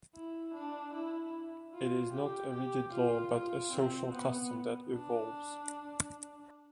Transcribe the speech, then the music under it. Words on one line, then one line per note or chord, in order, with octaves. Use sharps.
It is not a rigid law but a social custom that evolves.
E4
D4
E4
F4
G4
G4
F4
F4
C4
B3
D4